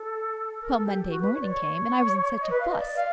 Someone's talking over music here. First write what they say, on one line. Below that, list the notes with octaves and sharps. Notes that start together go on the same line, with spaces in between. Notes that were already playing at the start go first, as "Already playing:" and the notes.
Well, Monday morning came, and I was in such a fuss!
Already playing: A4
A#4
A4
G4
F#4
B4
C#5
D5
C#5
D#5
B4
F5
D#5
D5
F5